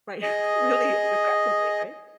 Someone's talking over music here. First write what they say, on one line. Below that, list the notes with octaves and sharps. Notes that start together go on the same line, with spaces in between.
right, really aggressively, right?
G#4 D#5